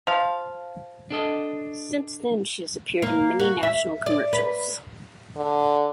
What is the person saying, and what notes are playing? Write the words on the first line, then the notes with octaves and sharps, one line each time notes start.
Since then she has appeared in many national commercials.
F3 F5
D4 A4 D#5
A#3
F#4
E5
D5
B4
D3